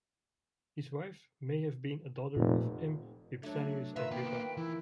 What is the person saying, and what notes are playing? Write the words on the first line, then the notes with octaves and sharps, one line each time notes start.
His wife may have been a daughter of M. Vipsanius Agrippa.
F1 A#2
F#3 A3 D4
D#3 F4 B4 E5
A#3 B3 G5
E3 E4